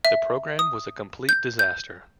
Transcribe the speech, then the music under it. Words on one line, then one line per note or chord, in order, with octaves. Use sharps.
The program was a complete disaster.
E5
D#6
G6
G6